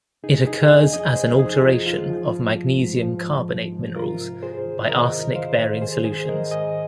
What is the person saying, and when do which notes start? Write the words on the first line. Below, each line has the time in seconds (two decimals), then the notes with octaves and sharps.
It occurs as an alteration of magnesium carbonate minerals by arsenic bearing solutions.
0.23 C3 D#4 G#4
0.47 F2 D#4 G#4
0.70 F2 D#5 G#5
0.93 F3 D#5 G#5
1.16 C3 G#4 C5
1.39 F2 D#4 G#4
1.63 F2 F4
1.86 F3 F4
2.10 F3
2.32 G#2
2.56 F3
2.79 G#2
3.03 F3
3.26 G#2
3.50 F3
3.72 G#2
3.95 C3 F4 A#4
4.19 C2
4.42 C2 G#4 C5
4.66 D#3
4.89 C3 A#4 D#5
5.12 C2
5.35 C2 C5 F5
5.58 D#3
5.81 D#3 G#4 C5
6.05 G#2 G#4 C5
6.29 D#3 A#4 D#5
6.51 G#2 D#5 G#5